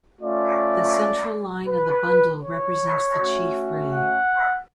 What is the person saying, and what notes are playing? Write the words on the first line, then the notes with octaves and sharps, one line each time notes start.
The central line of the bundle represents the chief ray.
A3 C#4 F4 D5
B4
C#5
A3 C#4 F#4
F#5